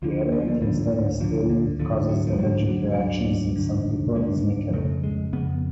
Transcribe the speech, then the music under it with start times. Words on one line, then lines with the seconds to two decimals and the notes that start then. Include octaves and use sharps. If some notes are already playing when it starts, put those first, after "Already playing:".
The element in stainless steel that causes allergic reactions in some people is nickel.
0.02 D2 D3 F3
0.32 D3
0.40 F3
0.48 D3
0.61 D2 D3 F3
0.90 D3
1.20 D2 D3 F3
1.50 D3
1.79 D2 D3 F3
2.09 F#3
2.27 F3
2.38 D2 D3 F#3
2.67 F#3
2.97 D2 D3
3.56 D2 D3
4.14 D2 D3 G#3
4.74 F2 C#3 A3
5.04 G#3
5.33 F2 C#3 B3